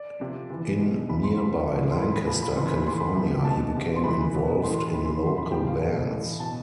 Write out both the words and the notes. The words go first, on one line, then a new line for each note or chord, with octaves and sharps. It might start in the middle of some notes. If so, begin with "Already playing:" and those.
In nearby Lancaster, California, he became involved in local bands.
Already playing: D5
C3 F3
C3 E3
B2
C3 F3 B5
C6
A2 F3 B5
A2 F3
C6
A2 E3 B5
B5
A2 F3 B5
B5
C3 E3 C6
B5
B5
A2 E3 C6
B5
C3 F3
B2 A5
C3 F3
C6
C3 E3 B5
B2
A2 E3 C6
C6
C3 E3 B5
C6
B5
A2 E3 C6
B5
A2 F3 G5
F5
B2
A2 E3
B2 A5